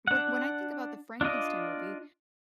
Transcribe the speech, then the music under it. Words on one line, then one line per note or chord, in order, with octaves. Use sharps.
When when I think about the Frankenstein movie,
D4 F#5
D4 F4 D5 D#5